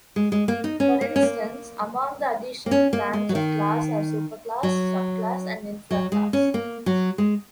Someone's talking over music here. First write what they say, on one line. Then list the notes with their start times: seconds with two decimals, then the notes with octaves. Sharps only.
For instance, among the additional ranks of class are superclass, subclass and infraclass.
0.16 G#3
0.32 G#3
0.48 A#3
0.64 D#4
0.80 C#4
1.01 A#3
1.16 C#4
1.23 A#3
2.66 A#3
2.71 C#4
2.93 A#3
3.13 G#3
3.29 F#3
3.35 D#3
4.63 F#3
5.91 F#3
6.12 G#3
6.33 C#4
6.54 A#3
6.86 F#3
7.18 G#3